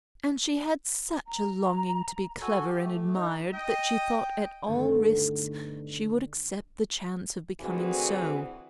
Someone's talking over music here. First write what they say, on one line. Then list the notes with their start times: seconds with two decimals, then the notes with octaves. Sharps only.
And she had such a longing to be clever and admired that she thought at all risks she would accept the chance of becoming so.
1.27 A#5
2.42 F#4 A4 G#5
2.68 G4
2.85 A3
3.15 D#4 A#5
3.54 D#5 G5
4.66 G2 B2 D3 D#3 A3 B3
7.61 D2 E3 C4 F#4 G#4